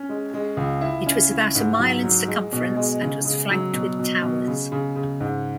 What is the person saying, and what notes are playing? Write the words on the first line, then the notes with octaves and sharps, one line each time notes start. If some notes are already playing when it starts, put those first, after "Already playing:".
It was about a mile in circumference and was flanked with towers.
Already playing: C#4
G#3
G#3
C#2
E4
C#4
E4
G#2
F#3
F#3
G#3
B2
G#3
C#3
C#3
F#3
B2
B2
B2
C#3
C#3
C#3
G#2